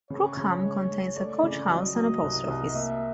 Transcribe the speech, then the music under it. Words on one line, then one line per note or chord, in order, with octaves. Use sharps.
Crookham contains a Coach House and a Post Office.
C#3 C#5
C#3
G#3
G#3
A3 D5
C#3
F#3 D#5
F#3
C2
C2
A#3 E5